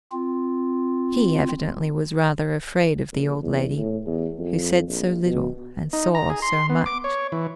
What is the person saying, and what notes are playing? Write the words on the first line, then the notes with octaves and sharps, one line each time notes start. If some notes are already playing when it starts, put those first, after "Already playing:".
She evidently was rather afraid of the old lady, who said so little and saw so much.
C4 F4
A#1
E2
A2
E2
F2
A#1
B2
D#4
A#5
G#4
C6
B3
D6
C#5
E3